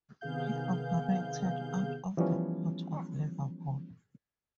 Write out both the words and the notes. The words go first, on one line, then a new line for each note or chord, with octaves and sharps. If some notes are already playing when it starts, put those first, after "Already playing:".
He operated out of the Port of Liverpool.
C3 D#3 B3 G#4 F5 G6
E3 F3 G3 B3 C#4